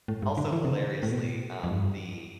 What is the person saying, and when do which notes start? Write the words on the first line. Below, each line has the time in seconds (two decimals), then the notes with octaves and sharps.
Also, hilariously, um, the
0.08 A2
0.22 G2
0.37 D3
0.52 E3
0.65 C3
0.72 D3
1.03 A2
1.11 B2
1.64 F2
1.70 G2